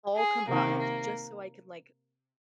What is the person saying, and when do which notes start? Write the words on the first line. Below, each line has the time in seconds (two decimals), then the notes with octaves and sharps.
all combined, just so I can, like,
0.17 G#4
0.47 C3 D#3 A#3
0.78 A#3